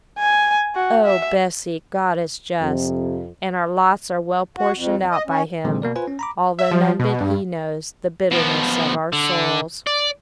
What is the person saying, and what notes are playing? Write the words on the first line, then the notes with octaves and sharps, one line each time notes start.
Oh, Bessy, God is just, and our lots are well portioned out by Him, although none but He knows the bitterness of our souls.'
G#5
F#4
E5
F2 C3
F#4
F2
F2
D#5
C#4
A#2 D3 E3 F#3 G#3 C4
B2 A#3 A#4 D5
F4 B4 C5 G#5
C#4
A#5 B5 D6
E5
F3
B2
G2
B2 F3
D3
D5